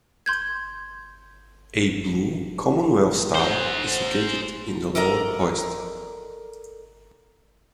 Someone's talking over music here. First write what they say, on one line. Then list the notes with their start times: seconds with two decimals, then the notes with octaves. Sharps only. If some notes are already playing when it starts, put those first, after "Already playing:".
A blue Commonwealth Star is located in the lower hoist.
0.26 C6 G6 G#6
3.35 C5 F#5
4.95 A4 A#4 D5 D#5 F5 A#5